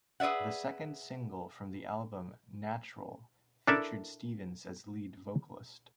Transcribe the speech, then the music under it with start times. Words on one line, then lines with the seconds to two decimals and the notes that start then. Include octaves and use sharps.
The second single from the album, "Natural", featured Stevens as lead vocalist.
0.20 G#4 B4 D5 E5 F#5
3.67 D4 E4 A4 A#4 D5 E5